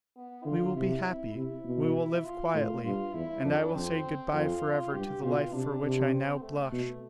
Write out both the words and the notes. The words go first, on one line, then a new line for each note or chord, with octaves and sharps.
We will be happy; we will live quietly, and I will say good-bye forever to the life for which I now blush.
B3
D3 F4
C3 E4
E4
C3 E4
B2
E4
F4
A2
G2 F4
E2 E4
F2 D4
F2 C4
F2 F4
G2 G4
B2 F4
C3 D4
C3
C4
A3
B2